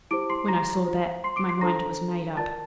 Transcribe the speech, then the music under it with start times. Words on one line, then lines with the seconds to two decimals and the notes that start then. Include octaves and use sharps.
When I saw that, my mind was made up.
0.11 E4 G4 C5 D6 D7
0.30 C6 C7
0.48 A#5 A#6
0.86 F4 C5
1.24 C6 C7
1.36 D6 D7
1.49 C6 C7
1.61 D4 A4 C5 A#5 A#6
2.37 F4 A#4 D5 A5 A6